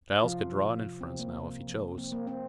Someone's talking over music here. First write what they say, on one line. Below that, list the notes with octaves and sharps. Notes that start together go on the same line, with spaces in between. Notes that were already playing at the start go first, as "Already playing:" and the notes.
Giles could draw an inference now if he chose.
C3 F3 F4
C3
C3
C4
C3
A#3
C3
F3
A#3 C4
A#3
A#3 C4